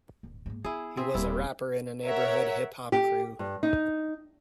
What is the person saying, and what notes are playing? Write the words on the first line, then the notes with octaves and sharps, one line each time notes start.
He was a rapper in a neighborhood hip hop crew.
D1 G2
G#2 A#3
B3 E4 G#4
C4 G#4 E5
D#1 G3 A#3 E4
A#4 C#5 E5 F#5
G4
G2
D#4